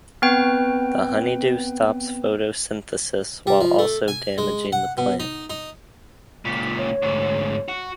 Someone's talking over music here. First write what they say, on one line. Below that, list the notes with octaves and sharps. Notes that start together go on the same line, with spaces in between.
The honeydew stops photosynthesis while also damaging the plant.
B3 C4 B4 G5
G3
F3
A3
G#5
G#3
F#5
B2
D#4
D#4
C#2 A#2 B6
C#5
D2 G#2
F#4